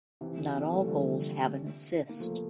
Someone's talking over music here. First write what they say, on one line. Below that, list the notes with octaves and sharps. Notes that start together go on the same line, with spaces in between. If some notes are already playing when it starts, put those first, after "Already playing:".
Not all goals have an assist.
C3 E3
C4
A#3
A3
G3
D3 F3
A#3
F3 A3